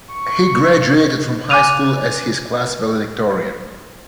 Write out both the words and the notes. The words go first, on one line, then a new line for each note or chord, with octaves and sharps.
He graduated from high school as his class valedictorian.
C#6
G#5 D6 F#6 D#7 F7